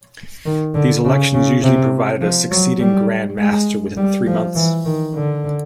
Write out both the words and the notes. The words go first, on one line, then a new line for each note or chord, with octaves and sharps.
These elections usually provided a succeeding grand master within three months.
D#3
D3
C#3
C#3
C3
F3
F#3
G3
G#3
G3
F3
E3
D#3
D3